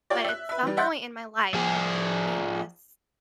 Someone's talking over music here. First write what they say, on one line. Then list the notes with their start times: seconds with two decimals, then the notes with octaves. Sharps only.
but at some point in my life I just became this
0.10 F4 G4 C#5 D5
0.24 E5 F#6
0.49 B4 E5
0.63 E3 G3
0.77 D#5 E5 F#5 C6 G6 A6
1.54 F3 G#4